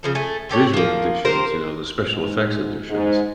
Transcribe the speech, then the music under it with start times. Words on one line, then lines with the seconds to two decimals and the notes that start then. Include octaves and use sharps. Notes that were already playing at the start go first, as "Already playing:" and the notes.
visual editions, you know, the special effects editions.
0.03 C#3 F3 A4
0.15 A3 G#5
0.49 C4 G4 A4 C#5
0.73 F3 A#3
1.25 G4 A#4 C5
2.10 G#2
2.89 G#2